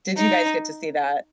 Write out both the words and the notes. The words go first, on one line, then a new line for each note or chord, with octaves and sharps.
did you guys get to see that?
D#4